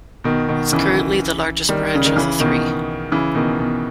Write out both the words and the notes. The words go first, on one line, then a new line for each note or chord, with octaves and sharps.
It is currently the largest branch of the three.
B2 D#3
B2 D#3
C#3 E3
D#3 G3
C#3
D#3
C#3 E3
B2 D#3
C#3 E3
B2 D#3
B2